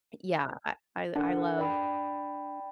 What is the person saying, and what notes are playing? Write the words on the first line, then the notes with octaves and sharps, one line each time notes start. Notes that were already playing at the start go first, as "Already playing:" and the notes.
yeah, I I I love
D4 A4 A#4 F#5
D5 G5 B5